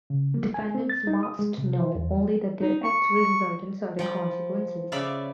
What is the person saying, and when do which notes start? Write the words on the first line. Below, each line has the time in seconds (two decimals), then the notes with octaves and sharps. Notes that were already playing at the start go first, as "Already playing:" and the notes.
Defendants must know only that their acts will result in certain consequences.
0.10 C#3
0.34 A#3
0.54 G#5
0.75 C4
0.90 A6
1.07 D#4
1.23 D#6
1.39 G#3
1.58 C3
1.80 C5
1.95 E2
2.17 F#3
2.61 D#4
2.84 C#6
3.99 F3 G5 B5
4.92 C#3 D5 E5 F5 B5